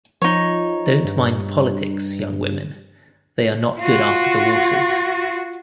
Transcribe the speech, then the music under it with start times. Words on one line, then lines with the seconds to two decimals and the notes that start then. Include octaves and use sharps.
Don't mind politics, young women, they are not good after the waters.
0.22 F3 D#4 C#5
1.04 G2
3.79 F4 F#4